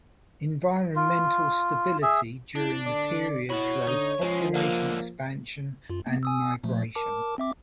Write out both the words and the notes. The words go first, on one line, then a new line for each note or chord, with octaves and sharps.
Environmental stability during the period drove population expansion and migration.
F4
G#4 E5
D4 E4
D3 D5
E4 F#4 C#5 B5
D3 D#4
C#2 F3 G#3
C#2 D3 A#3
F#2 F4
C3 A#3 B3
G#5 D#6 E6
A#2 F3 A3
A#4 A5 D6
C4 E5 D6